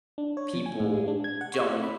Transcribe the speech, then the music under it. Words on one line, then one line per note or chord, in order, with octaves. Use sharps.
people don't
D4
C#5
F3
G#5
A2
G#3
D4
G#6
F#5
C#6
C4
B5